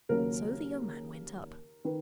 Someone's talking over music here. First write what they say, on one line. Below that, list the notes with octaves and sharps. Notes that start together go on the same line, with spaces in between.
So the young man went up.
D#2 C#3 F#3 A#3 A#4
D#3 B4